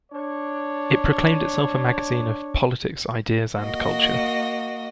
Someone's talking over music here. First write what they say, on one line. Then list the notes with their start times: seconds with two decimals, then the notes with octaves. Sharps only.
It proclaimed itself a magazine of "politics, ideas and culture".
0.12 D4 C#5
3.59 A#3 F#4 D#5